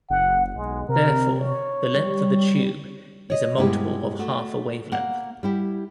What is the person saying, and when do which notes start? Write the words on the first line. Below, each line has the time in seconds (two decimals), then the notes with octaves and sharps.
Therefore the length of the tube is a multiple of half a wavelength.
0.10 F#1 F#5
0.56 B1 G#3
0.89 C3 A#4
1.40 C#5
1.94 G3
3.30 C#5 D#5
3.56 G2 B2 G#3 A#3 E4 G4
4.19 A3 F#4
4.92 A#3 F#5
5.43 G3 E4 G4